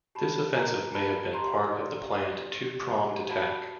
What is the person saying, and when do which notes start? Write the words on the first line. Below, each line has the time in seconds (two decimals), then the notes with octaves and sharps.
This offensive may have been part of the planned two-pronged attack.
0.15 G4 A5 B5
0.55 A#4 G#5 A#5
0.94 G4 A5 B5
1.33 G4 A#5 C6
1.73 D5
2.12 G4
2.52 G4
2.91 G4
3.30 F#4 A5 B5